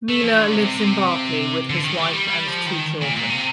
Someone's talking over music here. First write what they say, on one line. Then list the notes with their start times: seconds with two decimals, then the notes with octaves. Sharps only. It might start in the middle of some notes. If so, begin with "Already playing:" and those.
Miele lives in Berkeley with his wife and two children.
0.09 A3
0.24 F3
0.38 D3
0.53 C3
1.70 D3
1.83 D#3
1.99 G3
2.13 G3
2.28 G3
2.47 F3
2.66 D#3
3.01 A#2
3.16 A#2
3.29 C3